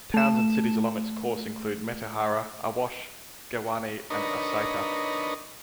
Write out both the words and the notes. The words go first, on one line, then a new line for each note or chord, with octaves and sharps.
Towns and cities along its course include Metehara, Awash, Gewane and Asaita.
A3 E7
D4 D#4 A#4 B4 C#5 D#5